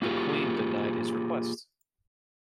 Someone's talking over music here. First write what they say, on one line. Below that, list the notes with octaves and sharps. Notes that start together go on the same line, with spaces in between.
The Queen denied his request.
A#3 F4 G4 G#4